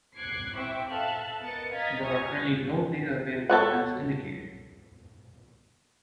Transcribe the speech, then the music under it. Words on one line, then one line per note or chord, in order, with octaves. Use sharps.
There are currently no data available for this indicator.
D6 F#6 G#6 C7 C#7
C4 E4 E5 G5 C#6 D6
A4 E5 F5 A5 F#6
B3 A#4 D#5 A6 C#7
D#5 F5 A#5 G#6 A6 B6
C#4 C#6 D#6 F6 G#6
A4 C#5 F#5